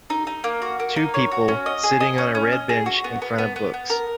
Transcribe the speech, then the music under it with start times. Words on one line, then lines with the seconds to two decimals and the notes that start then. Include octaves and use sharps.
Two people sitting on a red bench in front of books.
0.10 D#4
0.27 D#4
0.44 A#3
0.62 F#4
0.80 A#3
0.96 D#4
1.14 C#5
1.31 F#4
1.48 C#4
1.66 D#5
1.83 G#4
2.00 D#5
2.18 C#4
2.35 C#4
2.53 D#5
2.69 G#4
2.86 F#4
3.04 B3
3.22 B3
3.38 B3
3.56 B3
3.74 B3
3.90 A#4